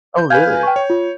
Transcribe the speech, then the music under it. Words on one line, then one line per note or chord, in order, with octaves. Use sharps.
Oh, really?
G6
B4 F5 G#5 F6 G6 G#6
G5 C#6
C#5
F4